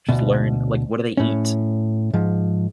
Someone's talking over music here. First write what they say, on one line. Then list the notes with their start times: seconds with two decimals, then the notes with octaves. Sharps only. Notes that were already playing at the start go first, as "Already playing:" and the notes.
Just learn, like, what do they eat?
0.09 D2 B2
1.17 A2 C#4
2.13 G#2 F3